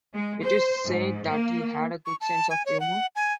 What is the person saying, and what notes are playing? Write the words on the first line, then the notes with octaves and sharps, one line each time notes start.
It is said that he had a good sense of humour.
G#3
C5
G#2
A#3
C#6
A5
G#5
C#5
F#5
G#5